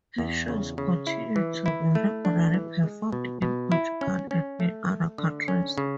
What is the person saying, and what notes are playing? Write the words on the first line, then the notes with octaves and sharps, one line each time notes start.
Her shows continue to be regularly performed in Portugal and in other countries.
E2
C#3
C#3
E4
E3
E4
A3
D4
E3
G#3
B2
B2
E4
C#4
C#4
A3
A3
D3
C#4
C#3